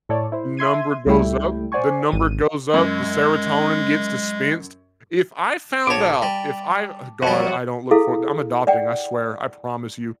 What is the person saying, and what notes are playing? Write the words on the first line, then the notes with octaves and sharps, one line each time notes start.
number goes up, the number goes up, the Serotonin gets dispensed. If I found out, if I uh, God, I don't look for I'm adopting, I swear, I promise you,
A2 A4 C#5 D5
E4 C5
E5 C6 G#6 D#7
C#2 G3 A3 E4 G5
C5 D5 F#5 G#5 C#6
G#1 D#7
F#2 G#3
A#1 C#5 A5 D6
G3
F2 F#3 G3 F#4
E4 G#4 A4 F5
D5 F#5 G5